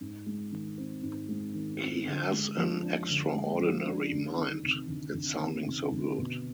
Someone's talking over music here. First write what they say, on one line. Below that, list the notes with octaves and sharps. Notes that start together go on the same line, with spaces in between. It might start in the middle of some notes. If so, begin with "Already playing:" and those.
He has an extraordinary mind - it's sounding so good.
G#2
G#3
D#3
C4
G#2
G#3
D#3
C4
D3
G#3
F3
D4
D3
G#3
F3
D4
D2
D#3
C3
D2
D2
D#3
C3
D2
B2